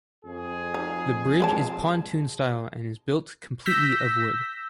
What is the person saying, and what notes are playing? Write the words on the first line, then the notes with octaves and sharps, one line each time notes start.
The bridge is pontoon-style and is built completely of wood.
F2 G#4
D#4
G#3 B4 A5
E6 G6 A#6 B6